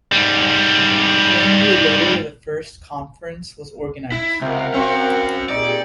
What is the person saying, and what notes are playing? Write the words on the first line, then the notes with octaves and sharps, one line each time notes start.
One year later the first conference was organized.
G#2 G3
E4
C#2 C3 A#4 F5 F#5
C4 C#4 F#4 C#6
A#2 D#4 G4 G#4 D5